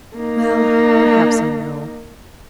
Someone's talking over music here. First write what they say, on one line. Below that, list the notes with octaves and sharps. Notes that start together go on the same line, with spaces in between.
Well, perhaps I know.
A#3 D#4